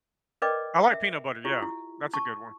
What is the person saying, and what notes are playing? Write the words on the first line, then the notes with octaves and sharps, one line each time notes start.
I like peanut butter, yeah. That's a good one.
A#4 B4 D5 D#5 G5 D6
E5
E4 F4 G4
E4
A5 C#6